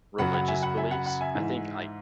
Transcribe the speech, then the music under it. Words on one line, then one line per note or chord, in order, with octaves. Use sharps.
religious beliefs, I think, l c
F#2 C#3 F#3 F#5 B5
F#5 B5
E5 G#5
F#5 B5
E5 G#5
F#5 B5
F#5 B5
E5 G#5
G#2 E3